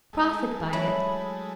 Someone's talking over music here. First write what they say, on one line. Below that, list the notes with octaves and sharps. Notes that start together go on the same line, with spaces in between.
Profit by it.
G#3 A3
F#3 E4 B5